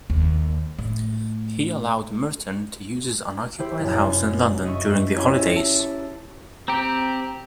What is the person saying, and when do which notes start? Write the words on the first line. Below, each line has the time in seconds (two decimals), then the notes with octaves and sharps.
He allowed Merton to use his unoccupied house in London during the holidays.
0.10 D#2
0.79 A2
3.59 E4 G4 C5
3.79 F1 F#2
4.65 D#5 E5 C#6
5.16 C#4 E4 G4
5.34 E5 A#6
5.55 E5 A5 E7
6.68 C4 G4 A#5